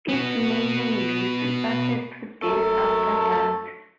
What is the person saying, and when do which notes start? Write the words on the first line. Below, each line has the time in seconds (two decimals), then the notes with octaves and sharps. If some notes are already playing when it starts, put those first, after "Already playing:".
Its mailing list started two days after that.
0.09 B3 F#4
2.43 F#2 A3 A4 A#4